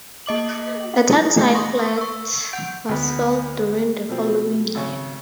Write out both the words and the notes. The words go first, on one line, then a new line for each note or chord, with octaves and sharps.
A townsite plat was filed during the following year.
A#3 D#5 D6 F#7
E4
A3 A#3 G#4
C6 C#6 D#6 A#6
C#6 E6
F#5 G6 D7
D2 B3
B2 F3 C4
G#1 C#3 C#6